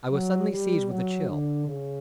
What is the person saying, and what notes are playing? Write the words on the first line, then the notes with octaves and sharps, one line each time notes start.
I was suddenly seized with a chill.
F#3
G3
F#3
D3
C#3